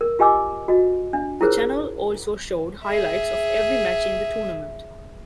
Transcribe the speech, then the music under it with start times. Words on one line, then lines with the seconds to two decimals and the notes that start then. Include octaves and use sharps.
The channel also showed highlights of every match in the tournament.
0.01 A#4
0.19 F4 G4 D#5 G#5 D6 E6
0.68 F#4 D#5
1.13 D4
1.41 E4 F4 G#4 A#4 C5 C#5
2.84 G#4 E5